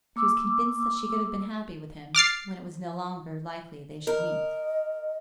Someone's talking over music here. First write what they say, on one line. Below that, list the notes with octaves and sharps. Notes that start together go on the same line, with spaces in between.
She was convinced that she could have been happy with him, when it was no longer likely they should meet.
A#3 D6 E6
D6 F6 A6 C7
A#4 D#5